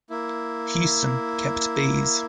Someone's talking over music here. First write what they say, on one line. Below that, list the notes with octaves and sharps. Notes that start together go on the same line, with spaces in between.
Huston kept bees.
A#3 E4